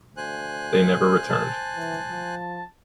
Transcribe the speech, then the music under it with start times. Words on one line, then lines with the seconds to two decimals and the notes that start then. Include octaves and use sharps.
They never returned.
0.17 D2 C5 G#5 F#6
1.29 A5
1.76 E3
2.11 F3